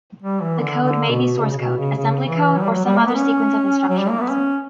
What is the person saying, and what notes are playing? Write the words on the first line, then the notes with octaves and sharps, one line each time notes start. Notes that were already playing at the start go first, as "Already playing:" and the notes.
The code may be source code, assembly code or some other sequence of instructions.
G3
E3
D3
D3
B2
C#3
C#3
B2
C#3
C#3
E3
F#3
G3
F#3
G3
A#3
B3
C#4
F#3
G3
A#3
B3
C#4